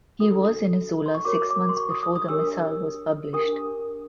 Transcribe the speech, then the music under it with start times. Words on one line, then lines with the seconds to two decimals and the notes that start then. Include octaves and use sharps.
He was in Izola six months before the missal was published.
0.20 D4 F#4 A4 D#6
1.06 C6
1.15 C#6
1.25 F#4 A#4 C#5 D6
1.51 D6
1.69 C6
1.77 C#6
1.90 D#6
2.03 D#6
2.16 D#6
2.28 D4 G4 A#4 C#5 E6
3.33 D4 G4 A#4 D#6